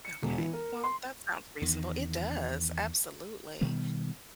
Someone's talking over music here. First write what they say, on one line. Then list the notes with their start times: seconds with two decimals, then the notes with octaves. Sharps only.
Okay. Well, that sounds reasonable. It does, absolutely
0.05 C#7
0.22 E1
0.38 E3
0.53 A#4
0.84 C6
1.62 E2 D#3
3.61 B2 D#3 G3 B3